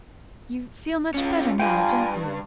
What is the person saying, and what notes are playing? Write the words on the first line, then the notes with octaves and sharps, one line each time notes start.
'You feel much better now, don't you?'
C#4 F4
G2 F4 G5 G#5